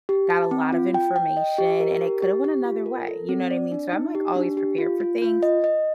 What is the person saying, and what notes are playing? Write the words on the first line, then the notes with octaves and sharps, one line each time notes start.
got a lot of information, and it could've went another way, you know what I mean? So, I'm, like, always prepared for things.
G4
A5
C4
F4
G5
G5
D#5
G4
A#4
G4
G4
G4
F4
A#4
A4
C4
D5
D4
D#4
G4
D4
G4
F4
F4
F4
D#5
D#5